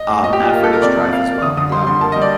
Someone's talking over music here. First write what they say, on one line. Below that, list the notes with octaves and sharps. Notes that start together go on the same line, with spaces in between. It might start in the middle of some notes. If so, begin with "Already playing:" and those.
um, effort and strife as well. Yep.
Already playing: D#5
A2
A#2 D#5
G4
A#2 F4
A#3
A4
A#2
A#4
C3 D5
C3
C3 F5
A#3
D3 D#6
D3 D#6
G3 C6
D3 C6
A#3 A5
G3 D#5
D5